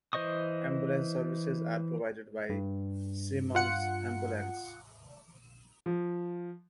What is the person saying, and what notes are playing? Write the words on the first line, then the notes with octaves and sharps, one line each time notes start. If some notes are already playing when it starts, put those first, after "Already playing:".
Ambulance services are provided by Symons Ambulance.
E3 C5 D#5 C#6 D#6
G2
F4 F#5 C#7
F3